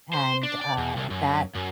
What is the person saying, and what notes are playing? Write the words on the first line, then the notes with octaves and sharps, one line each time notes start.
and, uh, that
C5
D4
D5
E2
C2
F#2
F#2